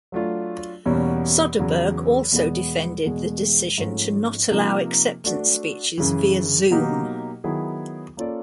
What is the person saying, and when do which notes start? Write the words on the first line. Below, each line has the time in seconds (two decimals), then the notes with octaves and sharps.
Soderbergh also defended the decision to not allow acceptance speeches via Zoom.
0.12 F#3 A3 D4 F4
0.86 E2 B2 G3 A#3 C#4
1.59 E2 C#3 F#3
2.32 E2 B2 G#3 B3
3.05 E2 B2 G#3
3.78 G#2 F3 A3 C#4
4.51 C3 F3 A#3 D#4
5.24 A3 D4 F#4
5.98 F#2 C#3 E3
6.70 B2 F#3 A#3 D#4 G4
7.44 D#3 F#3 B3 E4 G#4
8.17 A#3 C#4 F4 A4 D5